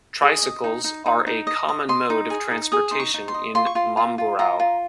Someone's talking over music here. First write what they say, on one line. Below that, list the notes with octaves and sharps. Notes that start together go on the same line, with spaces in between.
Tricycles are a common mode of transportation in Mamburao.
G#4
D#5
D#4
D#4
D#4
D#4
D#5
D#5
D#5 C6
D#4
G#4
D#4
G#4 D#6
D#4 C6
C#6
D#4
C6
D#5
F4 C6
C#6
F4 C6
F4
F4
F4 A#5
F4